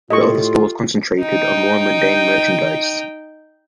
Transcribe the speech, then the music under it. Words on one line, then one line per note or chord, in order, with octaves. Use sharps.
The other stalls concentrated on more mundane merchandise.
A2 F4 G4 A4 D#5 C6 C#6
D#4 G5